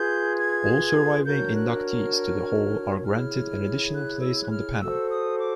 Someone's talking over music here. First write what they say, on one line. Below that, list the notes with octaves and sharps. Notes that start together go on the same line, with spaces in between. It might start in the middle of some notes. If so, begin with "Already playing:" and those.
All surviving inductees to the Hall are granted an additional place on the panel.
Already playing: F4 G#4 B4 G6
G#6
D4 F#4 A#4 C#5 G6
F#6
F6
E4 G#4 C#5 F6
F#6
E6
F#6
F6
F#4 A4 C5 E6
D#6
D6